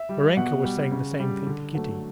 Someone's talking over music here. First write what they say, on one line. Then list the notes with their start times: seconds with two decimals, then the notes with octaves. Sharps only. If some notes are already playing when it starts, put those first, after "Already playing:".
Varenka was saying the same thing to Kitty.
Already playing: E5
0.09 G3
0.37 B2 F#5
0.65 G3
0.91 C#3
1.19 G3
1.47 D3
1.74 F#3 A3